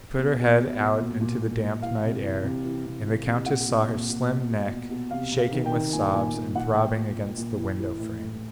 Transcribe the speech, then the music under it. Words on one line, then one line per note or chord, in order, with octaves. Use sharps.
She put her head out into the damp night air, and the countess saw her slim neck shaking with sobs and throbbing against the window frame.
B2
B2
B2
B2
A#2
A#2
A#2
A#2
E3 F5
C3
E3
C3
E3
C3
E3
C3
A#2 F#5
A#2
A#2
A#2
B2
B2
B2
B2
C3 F5
C3
F5
D#3
G5
D#3
A#2 G#5
A#2 G#5
A#2
A#2 F#5
A#2 G5
A#2
A#2
A#2
E3
E3
A2
A2